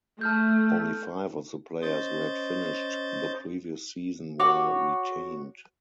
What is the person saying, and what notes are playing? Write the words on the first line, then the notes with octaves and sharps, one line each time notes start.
Only five of the players who had finished the previous season were retained.
A3 A5 F6 G6
C#4 C5 D#5 G6 A6
F#4 C#5 D6